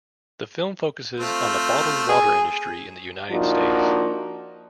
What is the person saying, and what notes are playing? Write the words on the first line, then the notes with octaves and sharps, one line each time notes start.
The film focuses on the bottled water industry in the United States.
A3 C4 F4
G#4
F3 A#3 D4 D#4 F#4